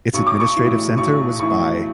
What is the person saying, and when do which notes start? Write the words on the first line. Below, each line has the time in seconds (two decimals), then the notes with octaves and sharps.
Its administrative centre was Buy.
0.14 B1 C#6
0.27 D6
0.40 C#6
0.56 A2 E3
0.98 B1 C#6
1.40 A2 E3 C#6